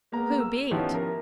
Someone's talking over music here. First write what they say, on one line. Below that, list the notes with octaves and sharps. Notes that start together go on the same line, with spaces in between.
"Who beat?"
G#3 A#3 B3 A#5
E6
F3 B3 C#4 D#4 E4 G4
A#4